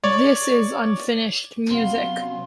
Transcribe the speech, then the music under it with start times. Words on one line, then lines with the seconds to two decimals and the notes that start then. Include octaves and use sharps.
This is Unfinished Music.
0.04 C#5 D5
1.70 C3 F#3 B3 C#4 F5 C6